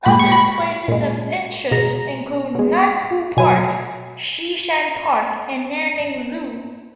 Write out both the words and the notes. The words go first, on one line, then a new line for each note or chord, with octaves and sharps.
Other places of interest include Nanhu Park, Shishan Park and Nanning Zoo.
A#2 G#3 B5
C#6
B5
A#2 G#3
B2 G#3 A#5
B2 G#3
B2 F#3 G#5